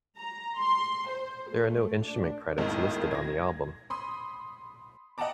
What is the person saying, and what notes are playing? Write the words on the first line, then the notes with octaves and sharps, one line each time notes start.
There are no instrument credits listed on the album.
A#5
C6
C5
A3
D4
B1 F2 A2 D#3 G#3 A#3
G#6 A#6
B5 C6 D#6
D#5 F#5 G5 A5 A#5 D6